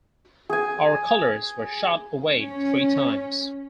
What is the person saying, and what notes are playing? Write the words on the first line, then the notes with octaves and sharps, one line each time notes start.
Our colors were shot away three times.
G#4 G#5
C#4